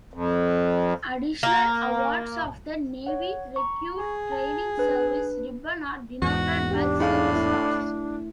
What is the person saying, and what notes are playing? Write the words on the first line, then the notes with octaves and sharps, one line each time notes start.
Additional awards of the Navy Recruit Training Service Ribbon are denoted by service stars.
F2
A#3
C#5 F#5
A#5 C#6
G#4
A5
D4 B4
E2 G#2 F#4
D4 G4
A2 D#4 G#4 F5
A3 E4